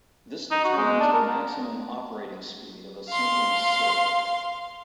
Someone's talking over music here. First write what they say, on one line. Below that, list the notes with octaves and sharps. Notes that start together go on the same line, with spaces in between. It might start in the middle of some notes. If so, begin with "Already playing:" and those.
This determines the maximum operating speed of a synchronous circuit.
D#4
F#4
G#3
D4
A#4
F5 C6